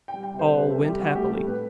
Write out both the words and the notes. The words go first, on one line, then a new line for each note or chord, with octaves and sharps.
All went happily.
G5
G3
G5
C3
C5
C3 B4
A4
G3
G4
G3
F#4
A3 G4
A2 A4
B4